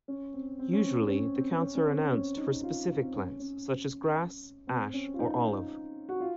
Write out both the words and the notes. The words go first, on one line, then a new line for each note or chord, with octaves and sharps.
Usually, the counts are announced for specific plants such as grass, ash, or olive.
C#4
C4
C4
C#4
C4
C#4
C4
C#4
C#4
C4
C#4
D#4
F4
C4
C#4
C#4
C4
C#4
F4
D#4
F#4
F4